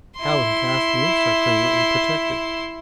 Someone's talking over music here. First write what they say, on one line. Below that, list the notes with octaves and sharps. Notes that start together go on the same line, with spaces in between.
Cow and calf moose are permanently protected.
E4 C6